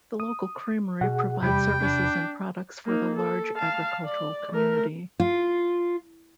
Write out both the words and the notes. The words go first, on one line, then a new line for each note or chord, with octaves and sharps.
The local creamery provides services and products for the large agricultural community.
D#6
B2 G#4 F#5
E2 C3 G3 G5 B5
D4
A#3 D#4
A4
F5 A5
D5
A3 A#4
F4